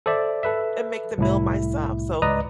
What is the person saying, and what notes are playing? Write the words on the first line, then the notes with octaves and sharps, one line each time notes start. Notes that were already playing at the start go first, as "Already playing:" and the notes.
and make the meal myself. So
A4 C5 D5 E5
A4 B4 E5
C2 A2 E4
C#2 B4 D5 D#5 A#5 D#6